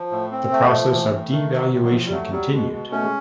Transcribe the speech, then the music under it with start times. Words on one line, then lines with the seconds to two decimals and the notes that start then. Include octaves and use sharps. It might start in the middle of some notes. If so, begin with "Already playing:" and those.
The process of devaluation continued.
Already playing: F3
0.11 A2
0.31 C4
0.51 A3
0.72 F3
0.91 A2 E3
1.12 A2
1.32 D#3 A3
1.52 F#3
1.72 A2
1.84 F#3
1.92 A2 F3
2.07 G3
2.12 F#3 A3
2.32 F#3 G3
2.52 B2 G#3
2.72 B2
2.92 A3 C#4
3.03 G#3